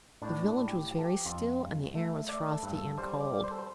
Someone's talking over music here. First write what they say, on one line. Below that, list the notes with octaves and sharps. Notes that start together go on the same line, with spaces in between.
The village was very still, and the air was frosty and cold.
A2 D4
D4
A2
G4
F3 G4
A4
G4
F2 F4
G2
A3
A3 D5
A4
G2
A4
G3 C5
D5
G3
C5
A4
C5